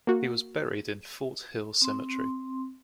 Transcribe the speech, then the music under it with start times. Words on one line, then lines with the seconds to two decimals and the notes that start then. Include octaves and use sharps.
He was buried in Fort Hill Cemetery.
0.07 A#3 F#4
1.82 C4 C6